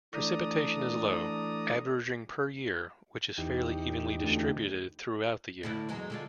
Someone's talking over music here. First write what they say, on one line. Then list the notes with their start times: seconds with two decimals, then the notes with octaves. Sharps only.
Precipitation is low, averaging per year, which is fairly evenly distributed throughout the year.
0.14 E3 A3 D4 D5 A#5 D#6
3.38 E2 D#4 G4
4.23 D2
5.63 A2 D3 E4
5.89 E2 F#3 G#3
6.10 D3 G#3 F4